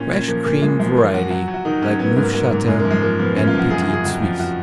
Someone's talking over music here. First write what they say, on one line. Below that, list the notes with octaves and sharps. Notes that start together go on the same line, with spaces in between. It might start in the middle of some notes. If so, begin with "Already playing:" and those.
Fresh cream variety like Neufchatel and Petit Suisse.
Already playing: A#2 C#4
A#2 C#4
F3 A#3
A#2 A#3
A#2 G#3
F3 G#3
F3 A#3
F3 F#4
F#3 F#4
F#3
F#4
D#3 D#4
F#3 C#4
F#3 B3
A#3
G#2
A#3
F#3 A#3
G#2 A#3
F#2 G#3
A#3
F3
G#3
F3 A#3
F3 B3
F#2 C#4
F4
F3
F#4
F#2 G#4
F#4
F#2
G#4
F2 F#4
F3 F4
F#4